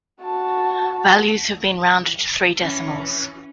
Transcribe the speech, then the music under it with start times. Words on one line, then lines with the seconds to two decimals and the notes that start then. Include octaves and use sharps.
Values have been rounded to three decimals.
0.22 F#4 A5
2.59 E3 C#4